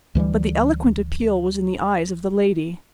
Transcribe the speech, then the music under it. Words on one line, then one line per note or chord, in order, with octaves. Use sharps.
But the eloquent appeal was in the eyes of the lady.
D2 E3 F3 G3